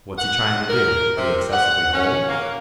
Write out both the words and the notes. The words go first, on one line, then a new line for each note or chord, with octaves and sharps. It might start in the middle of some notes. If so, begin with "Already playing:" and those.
"What's he trying to do--be excessively holy?"
F#5
A#4
C3
F#5
C#4
A#3